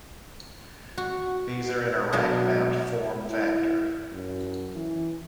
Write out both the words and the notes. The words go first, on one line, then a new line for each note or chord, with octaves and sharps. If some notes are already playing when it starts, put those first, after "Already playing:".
These are in a rack mount form factor.
F#4
B2 F#3 D4 A#4 D#5 A5
E4
F#2
E3